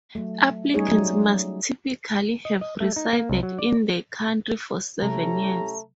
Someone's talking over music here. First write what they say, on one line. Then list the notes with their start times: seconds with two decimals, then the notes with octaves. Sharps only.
Applicants must typically have resided in the country for seven years.
0.15 F#3 A3
0.74 G3 A3 C#4 D#4 G#4 C#5
0.89 F#3
2.45 D#5
2.61 D#5
2.80 A3
2.96 D#4
3.13 A#3
3.30 C2
3.43 F#3
3.59 D5
5.02 C3 F#3 A3 C#4 E4 G4 A#5